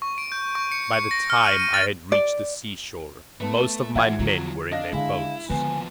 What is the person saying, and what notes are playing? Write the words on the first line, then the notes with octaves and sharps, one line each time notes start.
By the time I had reached the seashore, most of my men were in their boats.
C#6
D7
G6
C#6
C#7
C#7
A#6
F6
D#7
D#7
A6
D5
A3 B3 A5
E3 F3 F4 E5 F#5 G#6
D3 F3 F#3 F4
D4 D#5 F5 A#6
D3 G#3 D4 E4 F5
D#2 D3 F3 G#3 B3 G#5